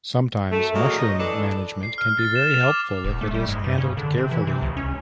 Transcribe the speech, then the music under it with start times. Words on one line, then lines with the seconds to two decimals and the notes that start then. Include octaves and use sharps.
Sometimes, mushroom management can be very helpful if it is handled carefully.
0.51 F#2 A3
0.74 A#2 D#3 F#3 G#3 A#3
0.97 D#4 C#5 D#5
1.19 E3 D4 A4
1.83 C7
1.98 F6
2.19 A6
2.36 E7
2.51 F7
2.66 D6
3.04 E1
3.21 A3
3.34 G3
3.48 G#2
3.64 G2
3.78 C#3
3.97 D3
4.18 C3
4.31 E3
4.47 C3
4.62 C#2
4.77 C#4